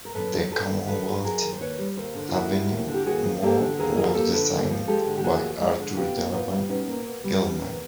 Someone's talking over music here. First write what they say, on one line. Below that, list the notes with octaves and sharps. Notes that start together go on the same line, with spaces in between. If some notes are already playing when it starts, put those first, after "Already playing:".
The Commonwealth Avenue Mall was designed by Arthur Delevan Gilman.
A#4
F#2 A4 B4
F#3
F#2 A4 B4
D#3
F#2 A4 B4
F#3
B4
F#2 G#4 A#4
D#3
C5
D#2 B4 C#5
G3
D#2 A#4 C5
D3
F4
D#2 E4 F#4
G3
D#2
D3
G4
D#2 F#4 G#4
F3
A#3 G4 A4
D3
D#2 G#4 A#4
F3 G#4 A#4
A#3 G4 A4
D3 A4 B4
D#2
F3
G#3 G4 A4
D3
G4
D#2 F#4 G#4
F3
G#3
D3
B2 F4 G4
A#3
B2 D#4 F4
G3
B2 C#4 D#4
A#3
B2
G3
D4
E2 B3 C#4
D#3